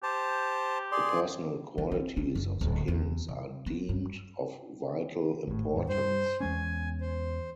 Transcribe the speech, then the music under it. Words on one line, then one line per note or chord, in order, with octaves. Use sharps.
The personal qualities of the kings are deemed of vital importance.
G4 C5 A5
G#4 D5 C6
E3
C4
C4
F#1
D1
E2
C3
B3
G2
G#1 A2
D#2 G#2
G2 C5
E2 G#3 C#4 G#5
C5